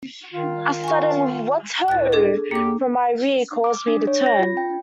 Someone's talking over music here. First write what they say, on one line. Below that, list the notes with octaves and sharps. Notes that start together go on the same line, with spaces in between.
A sudden "What ho!" from my rear caused me to turn.
D#3 F4
G#5 C#6
C#2 A2 F#6 A6
D4 G#4 A4
E2 A#3 G4 D6
D6
D4
C#5
A#6
F4
G5